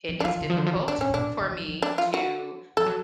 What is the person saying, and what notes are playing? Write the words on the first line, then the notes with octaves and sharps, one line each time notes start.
it is difficult for me to
F3
D4
F3 F4
D3
F3
D3
F3
D3
C#3 D4
A2
C#4
G#2
B2 D4
A2
B2
D3
F3
F#3
F3
D4
F4
F#4
F3 A4
F#3